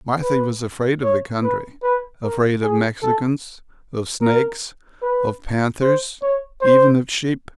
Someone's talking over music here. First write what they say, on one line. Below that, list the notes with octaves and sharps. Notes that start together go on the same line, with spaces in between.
Marthy was afraid of the country--afraid of Mexicans, of snakes, of panthers, even of sheep.
B4
C#5
B4
B4
A#4
G#4
A4
A#4
B4
C5
C#5
C5